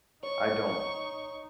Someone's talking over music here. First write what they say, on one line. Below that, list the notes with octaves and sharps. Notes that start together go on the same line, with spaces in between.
I don't
D#4 C#5 C#6